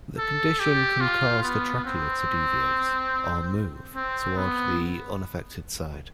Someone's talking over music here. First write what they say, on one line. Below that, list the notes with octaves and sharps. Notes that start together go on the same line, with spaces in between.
The condition can cause the trachea to deviate, or move, toward the unaffected side.
A4
G4
F4
B3
C4
C4
B3